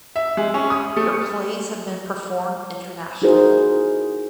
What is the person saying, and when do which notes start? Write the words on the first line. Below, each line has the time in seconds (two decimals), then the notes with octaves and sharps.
Her plays have been performed internationally.
0.16 E5
0.37 G#3
0.54 C#4
0.70 D#6
0.97 A3
3.22 D#4 E4 F#4 G#4 A#4 C5